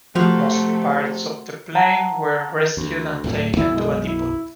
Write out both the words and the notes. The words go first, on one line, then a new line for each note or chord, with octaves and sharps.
Most parts of the plane were rescued and taken to a depot.
C3 F3 A3 F#4 C5 F5
F5 F#5 A5 A#5
D2
D1 A2 F#3
B1 F#2 B2 E4
G#3
E4